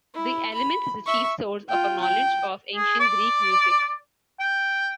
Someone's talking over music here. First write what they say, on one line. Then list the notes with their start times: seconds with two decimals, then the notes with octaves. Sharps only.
The "Elements" is the chief source of our knowledge of ancient Greek music.
0.14 E4
0.53 B5
1.06 E5 C#6
1.69 F4 G5
2.00 G5
2.75 G#4
2.99 D5
4.40 G5